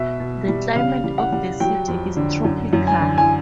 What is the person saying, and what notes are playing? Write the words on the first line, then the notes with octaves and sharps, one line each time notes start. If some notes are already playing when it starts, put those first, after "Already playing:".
The climate of the city is tropical.
Already playing: B2 E5
B2
G3
C#3 F5
G3
F#5
G3
F#3 G5
F2
D3
F#2
F#2
G#5
D3
G#5